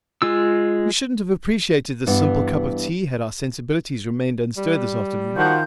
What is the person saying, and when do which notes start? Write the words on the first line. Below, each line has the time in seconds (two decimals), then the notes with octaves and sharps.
We shouldn't have appreciated this simple cup of tea had our sensibilities remained unstirred this afternoon.
0.22 G#3 F4 E6
2.07 G2 E3 B3
4.57 G3
5.36 D#3 F3 F#4 F#5 G6